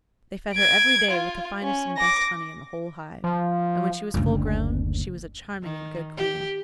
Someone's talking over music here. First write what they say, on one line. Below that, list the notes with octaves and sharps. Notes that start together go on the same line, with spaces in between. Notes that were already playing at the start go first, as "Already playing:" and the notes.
They fed her every day with the finest and best honey in the whole hive; and when she was full-grown, she was a charming and good Queen.
G#6 D7
F4
C#4
D6 A#6
F3
F#1 D2
D#3
G4